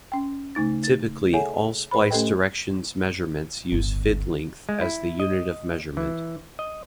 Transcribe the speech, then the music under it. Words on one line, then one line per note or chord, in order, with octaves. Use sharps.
Typically, all splice directions measurements use fid-length as the unit of measurement.
C#4 G5
C#3 A3 D#4 A6
A6
G#4 A4 C#5 E5 F#5 G#5
A2 B4 C5 B5
A3 C#4 G4 A4 D#5 G5
D1 G1
G#3
E4
D#5
E3
D#5